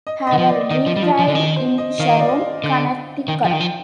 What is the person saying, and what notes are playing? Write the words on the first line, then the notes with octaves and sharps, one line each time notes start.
Haver retired in Sharon, Connecticut.
D#5
D#5
D#3
F3
D5
D#3 D#5
F3
G3
F3 F4
F3
D3
D#3 D#5
C5
D#5
D#3 F5
D#5
D5
D#5
D3
D#3 G5
F3
G5
D#3
F3